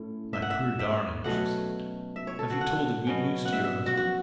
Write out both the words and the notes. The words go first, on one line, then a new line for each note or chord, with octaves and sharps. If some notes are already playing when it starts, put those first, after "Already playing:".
"My poor darling," she said, "have you told the good news to your husband?"
Already playing: A2 C#4
E5
F#5
E5
E5
B2 F#3 A3 C#4 F#5
E5
C#5
A4
F#4
F#5
B2 F#3 C#4
F#5
E5
E5
F#4
F#4